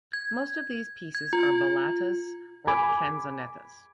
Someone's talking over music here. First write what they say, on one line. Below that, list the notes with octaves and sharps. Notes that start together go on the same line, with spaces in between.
Most of these pieces are ballatas or canzonettas.
G#6
G#6
F4
G#5 B5 D6